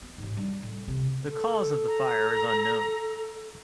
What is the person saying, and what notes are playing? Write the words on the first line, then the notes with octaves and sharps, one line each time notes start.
The cause of the fire is unknown.
B3
A1 G#2
G3 D4
A2
C3 C4
A4
A#5